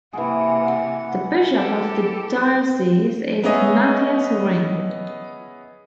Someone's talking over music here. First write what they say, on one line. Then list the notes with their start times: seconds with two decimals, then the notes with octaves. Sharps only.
The bishop of the diocese is Matthias Ring.
0.13 C3 E3 A#3 G#4 F#5
1.54 G4 A4
3.43 B3 C#4 G#4 D#5 E5 G#5